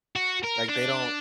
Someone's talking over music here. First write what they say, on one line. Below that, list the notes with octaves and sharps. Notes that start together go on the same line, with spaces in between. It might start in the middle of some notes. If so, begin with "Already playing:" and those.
Like, they don't
F#4
A#4
D4